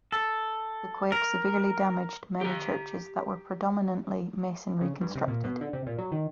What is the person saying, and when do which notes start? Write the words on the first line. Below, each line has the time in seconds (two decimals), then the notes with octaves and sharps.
The quake severely damaged many churches that were predominantly masonry constructed.
0.12 A4
1.12 A#4
2.41 G4 A#5
4.81 C#3
5.01 G2
5.16 C3
5.28 A#2
5.44 B2
5.61 D3
5.73 C3
5.86 A#2
5.98 F#3
6.12 D#3